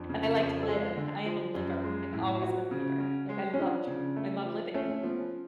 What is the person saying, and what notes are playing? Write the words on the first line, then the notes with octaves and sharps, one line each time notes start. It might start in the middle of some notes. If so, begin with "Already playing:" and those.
And I like to live. I am a liver, I've always been a liver. Like, I loved I love living.
Already playing: F2 D4
C#3
F2
A4
G#3 G#4
D3
F3
F#2
G#3
A2
F3 F#4
C#3
C#4
G#3
C#4
F3 D4
C#3
A3
F3
A3 C#4
C#4
F3 B3
C#4